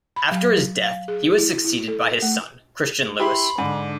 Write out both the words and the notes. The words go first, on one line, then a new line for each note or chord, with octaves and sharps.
After his death, he was succeeded by his son Christian Louis.
B5
F#3
F5
G#4
E4
E4
A4
A4
A3
E4 G4 B5 C6
G#2 D3 D4